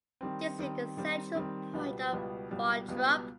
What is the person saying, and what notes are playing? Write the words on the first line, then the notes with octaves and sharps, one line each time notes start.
This is the central point of Barntrup.
D#3 G3 C4
D#3 G3 C4
D#3 G3 C4
D#3 G3 C4
C#2 B2 G3 B3
C#2 B2 G3 B3
C#2 B2 G3 B3
C#2 B2 G3 B3